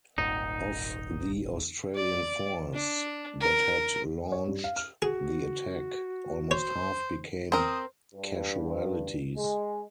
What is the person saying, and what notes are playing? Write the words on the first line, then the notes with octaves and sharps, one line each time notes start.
Of the Australian force that had launched the attack, almost half became casualties.
D#1 G#1 D#4
D5
D4
A#4
C#5
G2
F5
F6
F#4 G#4
C5 C#5
C4 A#4 C5 D#6
G2
G#3